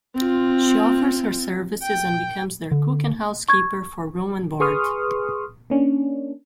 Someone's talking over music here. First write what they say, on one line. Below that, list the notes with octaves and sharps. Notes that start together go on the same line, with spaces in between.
She offers her services and becomes their cook and housekeeper for room and board.
C4 F4
G5
D3
C#6 G#6
G#4 B4 C6 C#6 D#6 F6
A#3 C#4 D4